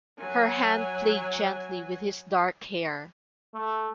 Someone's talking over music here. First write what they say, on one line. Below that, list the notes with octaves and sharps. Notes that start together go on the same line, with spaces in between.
Her hand played gently with his dark hair.
F#3 G#5
A3